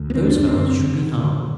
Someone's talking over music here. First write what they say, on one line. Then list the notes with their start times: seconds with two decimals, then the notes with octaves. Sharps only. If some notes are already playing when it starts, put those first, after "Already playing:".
Those fellows should be hung.
Already playing: D2
0.10 A#3
0.14 D3 C4
0.25 D4
0.36 F#2 D4
0.47 C4
0.58 D3 C4
0.80 D3
1.02 D3
1.24 D3